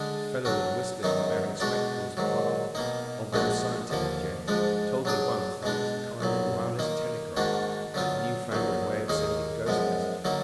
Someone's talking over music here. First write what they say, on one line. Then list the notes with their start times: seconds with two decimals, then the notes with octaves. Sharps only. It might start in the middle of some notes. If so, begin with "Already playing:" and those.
A fellow with whiskers and wearing spectacles one of--of them scientific gents--told me once that it was a kind of wireless telegraph, that newfangled way of sending ghost messages.
Already playing: D3 G#3 D4 G#4
0.45 F#3 D4 F#4
1.03 F#2 D#3 F#3 B3 D#4
1.60 B2 G#3 D4 F#4 D5
2.17 G#2 D#3 F#3
2.75 B2 A#3 D#4
3.33 A#1 A#2 G#3 D4 F#4
3.90 D#2 D3 F3 A#3
4.48 G#2 F3 G#3 D4
5.05 F#3 D4 G#4 D5
5.63 B2 G#3 D4
6.21 B1 A#2 F#3
6.79 D#3 A#3 D#4
7.37 G#2 D#3 A#3 D4 F#4
7.94 D3 F#3 B3 F4
8.52 A#1 A#2 F#3
9.08 D#2 D#3 A#3 D#4 G#4
9.66 F#2 F3 G#3 B3
10.25 D3 F#3 A#3 D#4